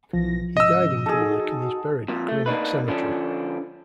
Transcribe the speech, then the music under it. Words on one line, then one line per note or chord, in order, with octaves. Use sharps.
He died in Greenock and is buried in Greenock Cemetery.
B1 E3 F3 A#6
G#2 C#3 D#5 E6
D#4 F#4 G#4 A4
F2 A#2
A3
A#3 D4 D#4 B4
D3 F3 C#4 D4